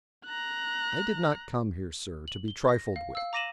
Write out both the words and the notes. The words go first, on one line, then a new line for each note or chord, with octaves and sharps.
"I did not come here, sir, to be trifled with."
A#5 F#6
F#7
G7
A#6
F5
F5 E6
A#5 D6 A#6 D#7 E7 F#7